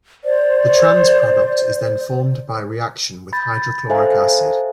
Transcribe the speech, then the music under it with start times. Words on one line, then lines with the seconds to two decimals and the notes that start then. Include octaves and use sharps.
The trans product is then formed by reaction with hydrochloric acid.
0.24 C5 D5
3.33 B5 G6 A6
3.90 A4 C5 E5 F5 G#5 A#5